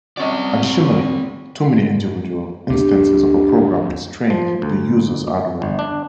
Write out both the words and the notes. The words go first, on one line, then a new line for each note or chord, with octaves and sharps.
Additionally, too many individual instances of a program may strain the user's hardware.
F#3 C4 C#4 D5 D#5
D2 D4 G4
F3
D2
G1
D4